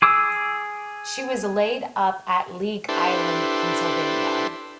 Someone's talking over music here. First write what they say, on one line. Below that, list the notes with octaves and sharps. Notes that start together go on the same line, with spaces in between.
She was laid up at League Island, Pennsylvania.
G#4 D6 E6
D4 E4 G4 A4 B4 C5